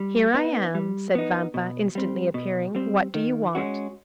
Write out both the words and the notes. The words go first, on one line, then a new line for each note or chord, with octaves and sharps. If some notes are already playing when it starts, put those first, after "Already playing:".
"Here I am," said Vampa, instantly appearing; "what do you want?"
Already playing: G3
B3 D#4
G3
B3 D#4
B2
G3 C4
B2
G3 C4
D#3
G#3 C#4 F#4